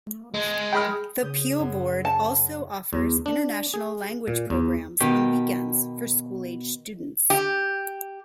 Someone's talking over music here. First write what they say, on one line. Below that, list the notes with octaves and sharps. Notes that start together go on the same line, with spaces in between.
The Peel board also offers International Language Programs on weekends for school-aged students.
G#3
G#4 G5 B5 F6
C#3 D#6 G6
F#2
A5
E2
D4
G#4
A#2
E2
B2 D#3 G4
G4